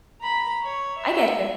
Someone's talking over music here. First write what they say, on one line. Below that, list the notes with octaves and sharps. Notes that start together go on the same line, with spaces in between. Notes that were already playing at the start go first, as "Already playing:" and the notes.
I getcha.
A#5 B5
C#5
E5